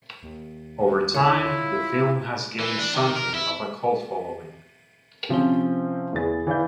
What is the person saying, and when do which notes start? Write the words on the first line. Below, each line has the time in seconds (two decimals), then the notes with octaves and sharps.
Over time, the film has gained something of a cult following.
0.23 D#2
1.14 E4 C#5
1.45 F4
2.60 E3
2.78 D4
2.94 D#3
3.16 A#4
3.34 E4
5.29 C3 F3 C4 C#4 G7
6.13 E2 E3 G#4 A6
6.47 E3 D5 F5 G6